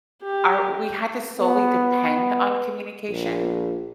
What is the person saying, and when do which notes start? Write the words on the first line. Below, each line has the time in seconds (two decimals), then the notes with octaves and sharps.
our we had to solely depend on communication
0.23 G4
1.40 B3
3.09 A#1